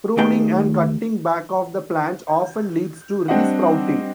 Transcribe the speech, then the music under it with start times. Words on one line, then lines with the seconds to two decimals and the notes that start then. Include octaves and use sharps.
Pruning and cutting back of the plant often leads to re-sprouting.
0.18 D#2 D#3 A3 G#4 G5 A#5
3.28 G3 C4 D4 D#5 F#5